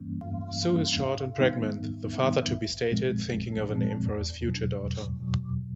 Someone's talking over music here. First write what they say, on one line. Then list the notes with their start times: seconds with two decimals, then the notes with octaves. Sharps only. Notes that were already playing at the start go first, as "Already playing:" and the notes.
"Sue is short and pregnant", the father-to-be stated, thinking of a name for his future daughter.
Already playing: G2 E3 G3 A#3 C#4
0.24 G2
0.63 E3 G3 A#3 C#4
1.01 G#2
1.39 D#3 G3 B3 D#4
1.77 G#2
2.15 D#3 G3 B3 D#4
2.53 A#1
2.92 A#2 F3 G#3 C4
3.30 A#1
3.68 A#2 F3 G#3 C4
4.07 E2
4.44 B2 F#3
4.82 E2
5.20 B2 F#3